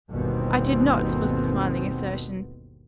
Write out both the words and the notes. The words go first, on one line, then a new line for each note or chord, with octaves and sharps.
"I did not," was the smiling assertion.
G1 D#2 B2 D#3 B3 C4